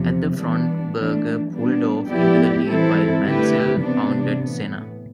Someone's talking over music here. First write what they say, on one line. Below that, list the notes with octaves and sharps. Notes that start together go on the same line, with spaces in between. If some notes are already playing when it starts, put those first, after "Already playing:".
At the front Berger pulled off into the lead while Mansell hounded Senna.
Already playing: E2 C3 F3
E3 G3 B3 D4
E3 A3 D4
G3 B3 D4
F3 B3 E4 G4 D5
E3 G3 C4 E4 A4
D3 A3 E4 G4 B4
C3 E3 B3 D4
A2 E3 B3